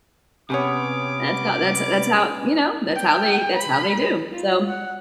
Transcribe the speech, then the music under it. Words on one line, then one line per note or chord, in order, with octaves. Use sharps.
That's how that's that's how, you know, that's how they that's how they do, so,
C3 B3 C#4 G4 B4 C#5 D6
G5
B5
F4
F#5